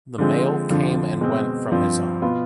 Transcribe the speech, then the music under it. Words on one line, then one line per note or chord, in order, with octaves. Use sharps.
The mail came and went from his home.
D3 F3 G#3 C4
F2 D3 F3
B2 G#3 C4
G2 F3 C4 F4
B2 B3 F4